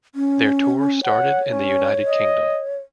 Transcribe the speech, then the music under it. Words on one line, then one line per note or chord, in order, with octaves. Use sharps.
Their tour started in the United Kingdom.
C#4
C#5 F#5
C#4
D#5